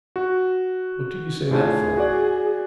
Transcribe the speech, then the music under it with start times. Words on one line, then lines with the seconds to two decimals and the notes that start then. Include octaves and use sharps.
What did you say that for?
0.16 F#4
1.51 A2 D4 F4 G#4
1.97 F#4 D5